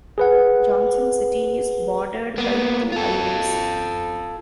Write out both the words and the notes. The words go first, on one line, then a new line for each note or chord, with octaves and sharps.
Johnson City is bordered by two highways.
G#4 B4 F#5
A#3 B3
F4 A4